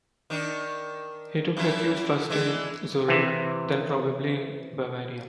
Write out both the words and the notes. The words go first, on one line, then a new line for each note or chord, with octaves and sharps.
He took refuge first in Zurich then probably in Bavaria.
D#3 D4
F#2 E3 E4
E3 G#3 D4
C3 E3